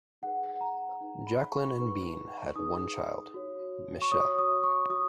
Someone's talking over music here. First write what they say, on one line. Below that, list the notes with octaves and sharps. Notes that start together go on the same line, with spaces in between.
Jacqueline and Bean had one child, Michele.
D#4 G#4 B4 F#5
A#5
D#4 G#4 B4
B5
C#6
D#4 G#4 B4 C#6
D#4 G#4 B4 D#6
F#4 C#5
C#6
F#4 C#5 D#6
D#6
C#6
F#4 D#6